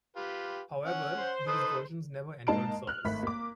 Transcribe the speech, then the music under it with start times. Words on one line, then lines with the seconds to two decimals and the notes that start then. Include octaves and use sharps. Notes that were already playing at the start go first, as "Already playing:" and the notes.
However, these versions never entered service.
0.16 F4 G4 B4
0.85 C#4 F#5
1.17 C5
1.47 D#4 A4 B4 D#6
2.47 G#2 A#3 D#4 A5 C7 D7
2.87 F6 F#6
3.05 G#1 A3 B5 B6
3.23 A#3 D6